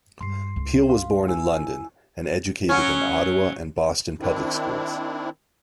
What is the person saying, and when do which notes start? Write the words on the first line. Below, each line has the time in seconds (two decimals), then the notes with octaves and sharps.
Peel was born in London and educated in Ottawa and Boston public schools.
0.21 G2 G#3 C6 C7
0.56 C#2
0.89 F5 C6
1.28 E4 G#5 E6
2.69 F#3 C#4
4.21 D#3 C4 D4 E4